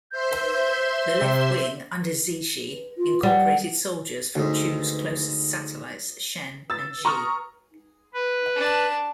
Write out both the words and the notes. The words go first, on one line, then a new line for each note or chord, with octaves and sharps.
The left wing under Zixi incorporated soldiers from Chu's close satellites Shen and Xi.
C5 E5 C6 G6
C3
F4
G3 F#5
D2 G#2
E6 A6
A#5 C#6 D#6 F6
B4
D4 A5